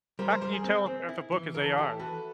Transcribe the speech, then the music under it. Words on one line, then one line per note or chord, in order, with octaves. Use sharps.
How can you tell if, if a book is AI?
G3 A#4 C5
A#4 C5
G3 A#4 C5
G#4 A#4
C4
C4
E4
E3
E3 A#4
A4
G#4
E4 G4 A4
F#4 A4 B4